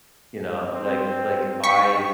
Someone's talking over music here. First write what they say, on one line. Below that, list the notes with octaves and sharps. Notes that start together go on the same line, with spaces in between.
You know? Like like, I,
C4
G5 C#6 B6